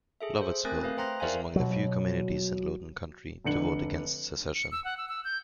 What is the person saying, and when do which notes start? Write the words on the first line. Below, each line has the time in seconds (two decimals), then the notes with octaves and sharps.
Lovettsville was also among the few communities in Loudoun County to vote against secession.
0.21 G#4 A4 E5
0.41 C5
0.65 A3 C4 A#4 G#5 F#6 A6
0.83 A3 B4 F5
0.98 C5 G5 A#5 C6 F#6 A#6
1.20 A#4 C5 D5 E5 F5 G#5
1.56 B2 F#3
3.45 F1 D3 D4 C#7 F#7
4.55 C#7
4.72 E6
4.84 F#5
4.97 E6
5.09 E6
5.24 G6